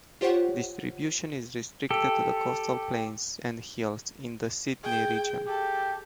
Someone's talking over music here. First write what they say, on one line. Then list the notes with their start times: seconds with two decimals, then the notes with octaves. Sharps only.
Distribution is restricted to the coastal plains and hills in the Sydney region.
0.21 F4 G4 C5 C#5 F#5
1.91 G4 A4
4.84 G#4 G5
5.47 G4 A4